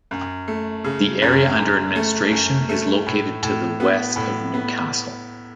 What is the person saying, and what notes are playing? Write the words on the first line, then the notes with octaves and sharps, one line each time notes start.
The area under administration is located to the west of Newcastle.
F#2
A3
C#3
F#2
F#2
A3
F#2
A3
A2
A2
B3
A2
B3